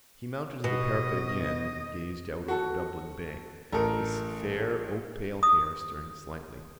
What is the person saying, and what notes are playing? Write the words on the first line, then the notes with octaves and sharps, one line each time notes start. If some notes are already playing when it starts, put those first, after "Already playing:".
He mounted to the parapet again and gazed out over Dublin bay, his fair oakpale hair stirring slightly.
B2 D#5
F#4 A4
A1 A4 A#4
D#6